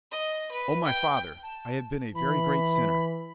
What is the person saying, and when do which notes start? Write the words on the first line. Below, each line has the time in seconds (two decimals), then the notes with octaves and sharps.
"O my father, I have been a very great sinner!"
0.11 D#5
0.51 B4
0.85 G5
1.43 A5
2.15 E3 B5